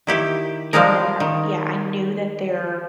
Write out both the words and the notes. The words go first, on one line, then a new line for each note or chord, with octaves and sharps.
in that Yeah, I knew that there
D#3 E4 G4
F3 G3 G#3 C4 G#4 A#4
D#3